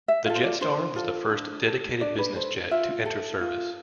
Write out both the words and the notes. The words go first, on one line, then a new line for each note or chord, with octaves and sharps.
The JetStar was the first dedicated business jet to enter service.
E5
F4 A4 F5
C5
D5
D4 C5
F4 A4
D4
A4
D4 D5
B4
A4 C5
F4 E5
A4
F4